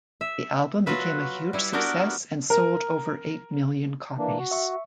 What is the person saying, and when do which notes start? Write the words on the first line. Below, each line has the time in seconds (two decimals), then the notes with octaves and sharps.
The album became a huge success and sold over eight million copies.
0.21 E5
0.86 F#3 F4 F#4 B4 E5
1.53 G3 E4
1.73 B3 D4 F#4 G4 A#4
2.50 A#4
4.18 E3 A#3 D4
4.39 F#4
4.51 E5 C#6